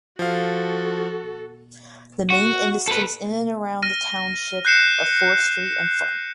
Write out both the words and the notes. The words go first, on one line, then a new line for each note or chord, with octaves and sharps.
The main industries in and around the township are forestry and farming.
F3 F#4 A4 F5
F#4
A4 B4
F6 A#6 D#7
F#6 G6 C7 C#7 E7